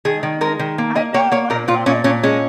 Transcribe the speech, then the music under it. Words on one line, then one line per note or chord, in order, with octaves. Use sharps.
Uh-huh. I know, I love it.
D#3 G#4
D#3
G#3 A#4
D#3
A#3
A#3 D#5
A#3 C#5
A#3 C#5
A#2 A#4
A#2 F4
A#2 C#4
A#2 C#4
G#3 C#4